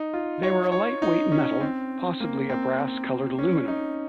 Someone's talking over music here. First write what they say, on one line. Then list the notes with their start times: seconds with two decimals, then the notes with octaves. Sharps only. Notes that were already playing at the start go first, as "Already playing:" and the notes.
They were a light weight metal, possibly a brass coloured aluminum.
Already playing: D#4
0.13 F4
0.43 C#5
0.72 C#5
1.02 D#4
1.32 C#4
1.61 C4
2.20 A#3
2.49 C4
3.39 C#4
3.68 D#4